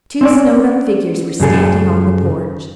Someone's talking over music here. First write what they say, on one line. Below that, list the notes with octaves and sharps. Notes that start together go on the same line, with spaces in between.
Two snowed-up figures were standing on the porch.
C4 C#4 D5
F#2 C#3 G#4 A4